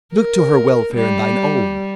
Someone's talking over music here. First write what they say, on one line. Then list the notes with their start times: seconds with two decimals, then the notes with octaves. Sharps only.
Look to her welfare and thine own.
0.14 A#4
0.94 G3